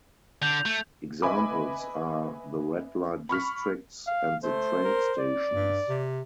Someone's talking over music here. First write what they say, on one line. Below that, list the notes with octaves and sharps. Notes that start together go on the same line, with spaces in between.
Examples are the red-light districts and the train stations.
D3 G6 F7
A3
B4 D#5 E5 G#5 B5 D6
B5 C#6 F6 B6
F5
A3 C5
A#4
D5
G2
C3